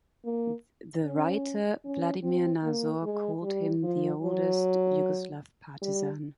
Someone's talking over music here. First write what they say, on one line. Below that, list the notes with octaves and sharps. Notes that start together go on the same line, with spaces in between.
The writer Vladimir Nazor called him the oldest Yugoslav Partisan.
A#3
C#4
C#4
C4
A#3
G#3
G3
F3
F#3
G3